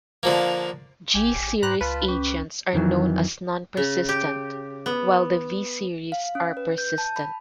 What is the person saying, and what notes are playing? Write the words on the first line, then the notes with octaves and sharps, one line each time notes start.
G series agents are known as non-persistent, while the V series are persistent.
D3 F3 A#3
A1 G4 G#5
G#2 G4 B4 C5 A#5 F#6
C#2 F4 B4 A5 B5
C#4 G4
F2 D#3 E3 F#3
C#3
G4
B3
F5
C#4
B4
G6
A5
B5